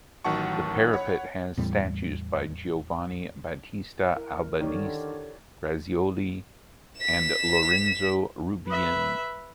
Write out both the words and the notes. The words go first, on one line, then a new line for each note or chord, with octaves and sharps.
The parapet has statues by Giovanni Battista Albanese, Grazioli and Lorenzo Rubini.
A1 D#3 F#3 F#5 A5 C#6
C#5 F#5 B5
E2 A2 G3
E4 A#4
D3 D#3 G4 C#5 D5
B6 E7
B4 E5